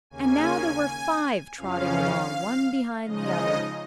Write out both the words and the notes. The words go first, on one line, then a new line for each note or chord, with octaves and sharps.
And now there were five trotting along, one behind the other.
D#2 C#3 A#3 C#4 G#5
F2 C#3 F3 C#4 F5
C#3 F3 G#3 D#4 D#5